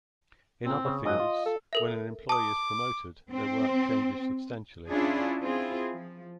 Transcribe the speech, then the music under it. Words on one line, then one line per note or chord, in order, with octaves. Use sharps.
In other fields, when an employee is promoted, their work changes substantially.
A#2 C4
C#3
F2 G#2 F#3 D#5
F4
A4
A4 A#4 E5
A5 D6 D#6
C4
C#4 D4 E4 F4 G#4
C4 E4 F4 G#4
F3